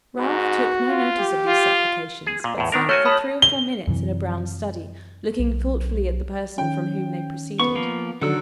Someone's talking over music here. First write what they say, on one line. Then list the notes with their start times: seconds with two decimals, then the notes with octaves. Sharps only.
Ralph took no notice of these supplications, but sat for three or four minutes in a brown study, looking thoughtfully at the person from whom they proceeded.
0.18 G#2 F#4
0.89 F4
1.19 G4
1.48 F4
2.26 G#4
2.44 A#2
2.58 E2 A2
2.72 D#3 D4 A#4
2.89 A3 F#4 C#5 G#5 F6
3.05 A5 B5 D#6
3.42 G7
3.87 F#2 C3 E3
5.39 B1
6.58 D#3 C#4 G5
7.60 B3 C#6
7.75 F3 A#3
8.21 D3 D#3 F#3 F#5 E6